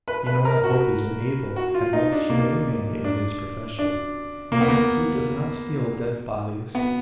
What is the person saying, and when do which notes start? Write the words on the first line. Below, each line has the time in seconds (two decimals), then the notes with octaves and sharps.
You know that Hope is an able and most humane man in his profession, and that he does not steal dead bodies.
0.08 B4
0.26 B4
0.45 A#4
0.64 F#4
1.56 F#4
1.74 F4
1.93 D#4
2.12 D4
2.30 A#3
3.04 D4
3.79 D4
4.52 A#3
4.61 B3
4.68 A#3
6.75 B3